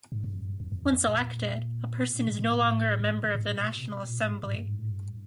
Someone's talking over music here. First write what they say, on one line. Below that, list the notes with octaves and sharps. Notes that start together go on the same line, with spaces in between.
Once elected, a person is no longer a member of the national assembly.
G#2
G2
F#2
G2
F2
F2
E2
F2
A#2
B2
A#2
A2
A2
G#2
A2
A2
G#2
A#2
B2
C3
B2
A#2
A2
G#2
G#2
G2
G#2
A2
G2